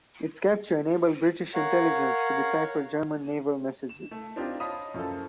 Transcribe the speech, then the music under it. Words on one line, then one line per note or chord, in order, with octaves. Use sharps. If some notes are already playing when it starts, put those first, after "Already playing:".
Its capture enabled British intelligence to decipher German naval messages.
A#4 C#5 F5 F#5
E7
A3
C4 D4 D#4 F4 G4
C#5 D#5 F5 A5 B5 D#6
F#2 F3 E4 A4